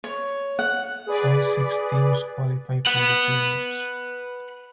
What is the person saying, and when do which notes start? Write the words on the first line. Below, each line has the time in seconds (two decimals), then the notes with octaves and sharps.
All six teams qualify for the playoffs.
0.04 C#5
0.59 F#5
1.07 G#4 B4 D5
2.87 B4 F#5